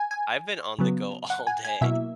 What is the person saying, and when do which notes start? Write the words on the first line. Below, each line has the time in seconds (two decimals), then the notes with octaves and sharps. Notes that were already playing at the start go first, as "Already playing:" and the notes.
I've been on the go all day,
Already playing: G#5
0.11 G#5
0.79 C#3 F#3 B3
1.30 F#5
1.47 G#5
1.65 G#5
1.81 B2 F#3 A#3 E4 E5